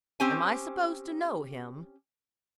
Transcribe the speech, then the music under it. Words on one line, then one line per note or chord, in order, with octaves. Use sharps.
"Am I supposed to know him?"
C4 C#4 G4 C5 G#5